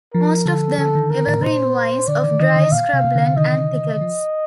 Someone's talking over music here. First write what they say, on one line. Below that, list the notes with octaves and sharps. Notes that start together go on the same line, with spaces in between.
Most of them evergreen vines of dry scrubland and thickets.
F3 A#4
D3 A4
D3 A4
D#3
D3 A#4
A2
C3
A#2 C5
D3 D5
D#3
D#3 D#5
D3
A#2 F5
C3
C3
D3
D#3 D#5
F3